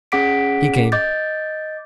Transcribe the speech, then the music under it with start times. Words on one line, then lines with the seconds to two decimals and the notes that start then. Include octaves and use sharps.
He came.
0.12 C#4 G#4 F#5 D6 B6 D7
0.92 D#5 D6 G6 A6